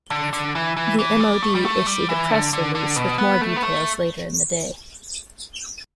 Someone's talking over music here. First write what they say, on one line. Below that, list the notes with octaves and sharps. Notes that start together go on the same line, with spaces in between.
The MoD issued a press release with more details later in the day.
D3
D3
E3
E3
E3
G3
A3
G3
A3
G3
E3
D3
D3
D3
B2
B3
A3
B3
A3